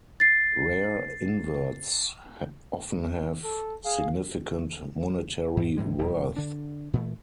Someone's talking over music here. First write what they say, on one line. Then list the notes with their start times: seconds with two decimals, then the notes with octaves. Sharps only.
Rare inverts often have significant monetary worth.
0.20 A6 C7
3.44 A4
3.84 G#4 F5
5.57 G#2 E3
5.77 G#2 E3 G3 G#3
5.99 D#1 E2 B2 G3
6.36 D3 D4
6.93 A#2 E3 A3